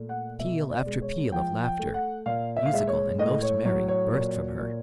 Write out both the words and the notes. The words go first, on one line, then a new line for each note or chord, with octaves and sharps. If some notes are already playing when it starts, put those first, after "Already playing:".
Peal after peal of laughter, musical and most merry, burst from her.
Already playing: A#2 A3
F#5
B2 E5
D5
G#3
C#5
F3 G5
G5
A3
F#5
A#2 F5
E5
F5
G#3 E5
C#5
A2 D#5
C#5
F#3 C#5
C#5
A#2 C#5
A#2